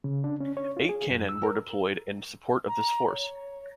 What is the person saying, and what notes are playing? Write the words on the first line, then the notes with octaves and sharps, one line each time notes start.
Eight cannon were deployed in support of this force.
C#3
D4
C#4
C#5
F4
G#4
F#2
E6
A#4
A#5
C#5